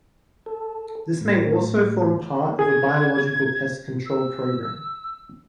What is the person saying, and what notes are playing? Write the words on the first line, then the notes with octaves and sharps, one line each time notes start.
This may also form part of a biological pest control program.
A4
A2
G#4 G#6
E6